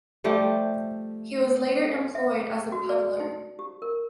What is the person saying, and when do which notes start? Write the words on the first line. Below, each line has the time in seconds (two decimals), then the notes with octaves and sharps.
He was later employed as a puddler.
0.24 F3 G3 A3 G4
2.15 E5
2.41 G#4
2.72 F#4
2.89 D5
3.20 D#4
3.59 G4
3.82 A#4